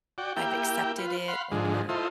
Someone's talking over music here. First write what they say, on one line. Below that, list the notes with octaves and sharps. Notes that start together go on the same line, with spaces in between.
I've accepted it, or,
F#4 D5 G5
A#3 E4 G4 G5
F4 B4
F5 F#5 B5 C6
G#2 D3 F3 G#3
E4 F4 A4 C5 D#5